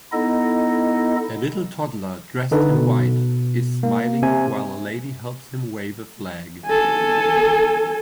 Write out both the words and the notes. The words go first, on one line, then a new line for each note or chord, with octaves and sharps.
A little toddler dressed in white is smiling while a lady helps him wave a flag.
B3 D#4 E4 A4 D#5
D3 D#4 A4 B4
B2
A#3
C3 G#5
A4 G#5